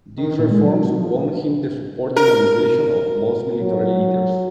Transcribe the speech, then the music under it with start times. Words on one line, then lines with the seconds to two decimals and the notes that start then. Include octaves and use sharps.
These reforms won him the support and admiration of most military leaders.
0.17 D#3
0.39 A#2
0.51 G#3
0.63 F#3
0.81 C3
0.99 F3
2.16 A#4
3.60 F#3